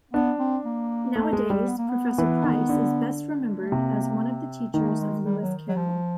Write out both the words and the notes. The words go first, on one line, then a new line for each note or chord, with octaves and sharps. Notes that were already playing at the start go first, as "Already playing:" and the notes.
Nowadays, Professor Price is best remembered as one of the teachers of Lewis Carroll.
B3 D4
C4
A#3
A3
G#3
G3
B3
A#3
B3
E3
D#3
D3
A3
C3 A#3
D#3 A3
A#3
A3
G#3
G3
F#3
F#3
F3